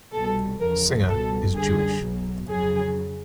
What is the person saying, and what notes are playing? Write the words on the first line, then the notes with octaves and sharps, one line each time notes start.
Singer is Jewish.
C2 B2 G3 A4
E2 C#3 F3 A#4
C#2 B2 G3 A4
F#2 D3 G3 G#4
B1 B2 F#3
F2 C#3 F#3 G#4